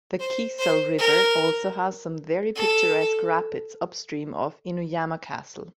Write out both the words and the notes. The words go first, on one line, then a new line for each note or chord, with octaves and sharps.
The Kiso River also has some very picturesque rapids upstream of Inuyama Castle.
C5
C5
A#4
A4